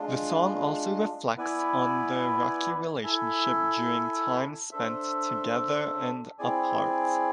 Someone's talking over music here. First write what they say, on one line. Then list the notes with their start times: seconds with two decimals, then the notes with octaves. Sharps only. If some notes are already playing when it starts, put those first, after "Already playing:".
The song also reflects on their rocky relationship during times spent together and apart.
Already playing: G#3 D4 F4
1.37 B3 E4 B4 D5 G#5
3.03 E4 A4 E5 G#5
4.71 D4 A4 C5 E5
6.39 C4 E4 G#4 D5 G#5